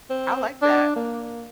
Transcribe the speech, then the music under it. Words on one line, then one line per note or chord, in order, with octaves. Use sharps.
I like that.
C4
D4
A#3